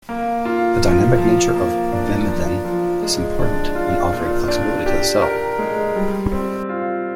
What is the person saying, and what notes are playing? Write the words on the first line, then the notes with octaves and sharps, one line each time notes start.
The dynamic nature of vimentin is important when offering flexibility to the cell.
A#3
F4
F3
F3
A#3
D4
F3
F3
G#3
D4
F4
A#2
D4
G4
A#4
G#3
G3
C4
F4